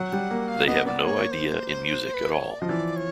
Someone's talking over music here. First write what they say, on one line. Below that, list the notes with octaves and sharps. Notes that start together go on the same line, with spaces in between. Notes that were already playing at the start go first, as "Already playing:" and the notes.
They have no idea in music at all.
Already playing: F#3 F#5
G3
A#3
F5
B3 D#5
B3 D5
A#3 C#5
C5
B4
C#5
D5
F3 D#5
E3 D5
C#5